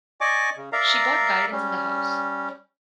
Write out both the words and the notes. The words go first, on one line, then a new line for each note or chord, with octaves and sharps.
She got guidance in the house.
D5 D#5 G#5 C#6 D6
C#3
A#4 D5 E5 F5 A#5
G3 C#4